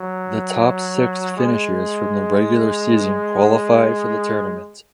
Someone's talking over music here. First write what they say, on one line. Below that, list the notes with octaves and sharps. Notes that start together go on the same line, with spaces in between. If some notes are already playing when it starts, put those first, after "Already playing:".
The top six finishers from the regular season qualified for the tournament.
Already playing: F#3
G#3